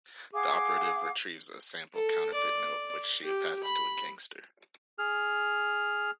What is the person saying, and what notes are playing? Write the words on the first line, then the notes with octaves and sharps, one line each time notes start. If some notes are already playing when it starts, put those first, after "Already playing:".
The operative retrieves a sample counterfeit note, which she passes to a gangster.
G#4 F5 F#5 D6
A4
D5
G4
B5
G#4 F6